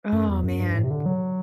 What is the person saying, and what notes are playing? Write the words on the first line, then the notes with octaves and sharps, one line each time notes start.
Oh, man.
F#2
E2
F#2
G2
A2
C3
D3
F#3